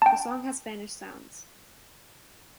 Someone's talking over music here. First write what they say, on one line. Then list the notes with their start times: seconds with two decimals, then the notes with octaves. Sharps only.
The song has Spanish sounds.
0.02 G5 A5